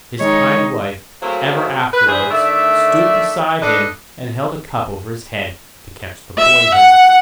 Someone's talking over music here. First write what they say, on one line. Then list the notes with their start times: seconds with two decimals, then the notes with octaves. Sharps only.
His kind wife ever afterwards stood beside him and held a cup over his head to catch the poison.
0.20 D#3 G#3 D#4 C#5
1.22 F#3 A3 A#3 C4 E4 G#4
1.93 B4
2.07 E2 G2 E3 G#4 B4 C5
2.30 D3 D#3 A3 D5 E5
3.62 D4 A4 B4 D#5
6.39 E5
6.75 F#5